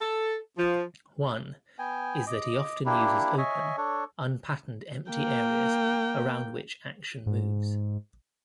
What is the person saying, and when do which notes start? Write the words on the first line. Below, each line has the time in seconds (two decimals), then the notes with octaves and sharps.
One is that he often uses open, unpatterned empty areas around which action moves.
0.01 A4
0.58 F3
1.79 B3 G5 G#5
2.27 D#5 D6
2.86 A#3 D4 E4 G4
3.38 C#5 D#5 E5 G#5
3.77 D4 A4 C#5
5.11 A#3 G5
7.26 G#2